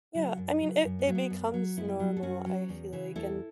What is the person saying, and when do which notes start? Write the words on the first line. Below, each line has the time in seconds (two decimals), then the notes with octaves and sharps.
Yeah, I mean, it it becomes normal, I feel like, and,
0.14 C#3 F#3
0.37 F#2
0.60 C#3 F#3
0.84 F#2
0.99 B3
1.07 F#3
1.15 B3
1.30 F#2
1.54 F#3
1.77 F#2 B3 E4
2.00 F#3
2.17 A4
2.23 F#2 C#4 F#4
2.46 F#3
2.69 E2
2.93 C#3 E3
3.16 E2 E4 A4